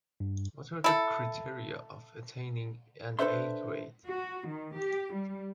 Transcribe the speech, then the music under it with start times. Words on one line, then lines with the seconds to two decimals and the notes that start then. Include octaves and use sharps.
What are the criteria of attaining an A-grade?
0.20 G2
0.84 E4 A4
3.19 D4 A4 B4 C5 E5 C6
4.10 F#4
4.48 D#3
4.77 G4
5.15 G3